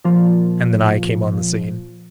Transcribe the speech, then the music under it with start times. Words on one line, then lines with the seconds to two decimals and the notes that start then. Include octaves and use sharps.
And then I came on the scene.
0.05 A#2 F3